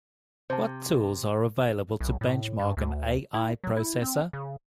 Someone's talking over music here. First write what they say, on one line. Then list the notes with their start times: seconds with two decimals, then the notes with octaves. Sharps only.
What tools are available to benchmark an A-I processor?
0.50 C3 C5 A5
2.00 B1
2.21 A2
2.59 G2
2.77 D2
3.34 E4
3.64 F#3
3.77 E4
4.02 C4
4.33 C#3